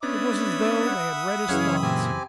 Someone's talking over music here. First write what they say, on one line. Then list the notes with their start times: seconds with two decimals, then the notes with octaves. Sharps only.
It was as though they had read his thoughts.
0.03 B3 C#4 D4 E5 B5 D#6
0.87 F#5
1.49 F#2 C#3 E3 C#5 F5 G#5
1.83 A#2 C4 G4 G#5